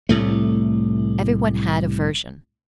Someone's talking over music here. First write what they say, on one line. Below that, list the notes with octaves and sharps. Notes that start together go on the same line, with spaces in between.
Everyone had a version.
C2 A2 A3